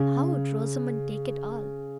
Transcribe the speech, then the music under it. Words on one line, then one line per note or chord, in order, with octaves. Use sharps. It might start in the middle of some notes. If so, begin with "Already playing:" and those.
How would Rosamond take it all?
Already playing: C#3